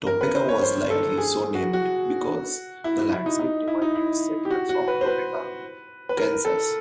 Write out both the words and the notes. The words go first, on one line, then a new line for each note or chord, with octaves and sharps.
Topeka was likely so named because the landscape reminded settlers of Topeka, Kansas.
A#4
B4
C5
C#5
C5
A4
G#4
F#4
F#4
E4
E4
E4
D#4
D#4
E4
D#4
E4
G4
F#4
F#4
B4
C5
B4
B4
A#4
A4